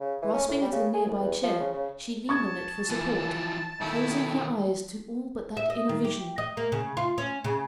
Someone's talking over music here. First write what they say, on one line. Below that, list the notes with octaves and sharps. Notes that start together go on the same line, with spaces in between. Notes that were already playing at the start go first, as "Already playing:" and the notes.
Grasping at a near-by chair, she leaned on it for support, closing her eyes to all but that inner vision.
C#3
E3
C#4
A2
G3
C#3
G#4
C2
E2
F3
C#3
C#3
A5 C#6 D#6 G#6
E3 F3
B1 D#3 E4 A4
E5
D#5
D#3
G4
D#5
A#3
C#3
F4
C#4
C#3